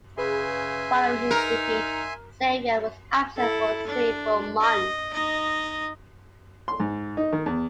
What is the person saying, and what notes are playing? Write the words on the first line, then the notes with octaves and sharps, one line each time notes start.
Following his defeat, Xavier was absent for several months.
C#3 G#4 B4 E5 G#5 C6
D#4 A#4
E4 A4
D4
D#5
D#4 D#5
C6
G#2
D#4
D#3
E2